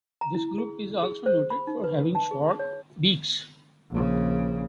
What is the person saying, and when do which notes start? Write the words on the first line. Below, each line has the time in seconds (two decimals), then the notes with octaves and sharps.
This group is also noted for having short beaks.
0.21 A#5
0.35 E4
0.58 G#4
1.03 G#4
1.26 C5
1.50 B5
1.67 D#4
1.84 B4
2.15 A5
2.31 G#4
2.59 C#5
3.91 A#1 C#3